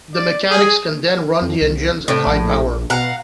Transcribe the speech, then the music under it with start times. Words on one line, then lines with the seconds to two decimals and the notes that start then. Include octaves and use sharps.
The mechanics can then run the engines at high power.
0.14 D5
0.50 G#4
1.42 F2
1.61 C2
2.08 A2 C3
2.27 A#1
2.90 B2 F5 F#5 A#5